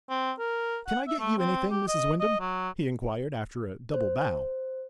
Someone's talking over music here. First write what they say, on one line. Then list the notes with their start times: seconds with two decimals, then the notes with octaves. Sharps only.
"Can I get you anything, Mrs. Wyndham?" he inquired, after a double bow.
0.10 C4
0.39 A#4
0.88 F#5
1.08 E5
1.19 A3
1.39 C4
1.71 G4
1.88 D#5
2.20 D#5
2.40 F#3
3.94 C5